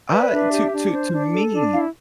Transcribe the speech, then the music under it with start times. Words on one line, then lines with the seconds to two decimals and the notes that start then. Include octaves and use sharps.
Uh, i to to to me
0.11 B4 E5
0.20 D5
0.29 D4 E5
0.51 G4
0.72 D4
0.92 C5
1.12 D4
1.32 A4
1.52 D4
1.72 E4 F5